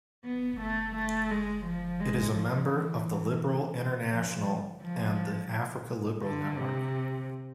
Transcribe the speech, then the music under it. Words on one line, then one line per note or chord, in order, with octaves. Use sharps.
It is a member of the Liberal International and the Africa Liberal Network.
B3
A3
A3
G#3
F3
G#3
F3
E3
F3
F3
D3
C3